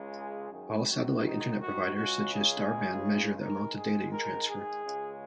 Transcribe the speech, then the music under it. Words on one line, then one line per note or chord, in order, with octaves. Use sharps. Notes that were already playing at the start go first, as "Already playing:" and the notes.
All satellite internet providers such as StarBand measure the amount of data you transfer.
Already playing: C#2 C#3 G#3
G#4
F#2 D#3 G#3 G#4
F#4
D#4
F#4
C#2 C#3 G#3 F#4
G#4
G#2 D#3 G#3 A#4
G#4
A#4
G#4
C#2 C#3 G#3